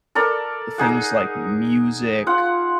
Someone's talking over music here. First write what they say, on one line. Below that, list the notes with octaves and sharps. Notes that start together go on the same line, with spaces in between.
things like music
A4 A#4 D5
D#4 G#4 F#5
F4 F#5